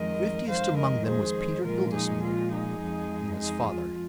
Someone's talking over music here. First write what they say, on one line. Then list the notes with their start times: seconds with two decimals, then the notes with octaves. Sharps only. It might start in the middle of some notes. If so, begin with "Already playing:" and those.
Thriftiest among them was Peter Hildesmuller, Lena's father.
Already playing: F2 D#3 G#3 A#4 D#5
0.46 F2 D#3 G#3 C5 F5
0.76 A#4 D#5
1.05 G#4 C5
1.63 A#2 F3 G#3 F4 A#4
1.92 D#4 G#4
2.21 F4
2.50 D#4 G#4
2.80 F2 F3 G#3
3.38 D#4 G#4
3.67 F4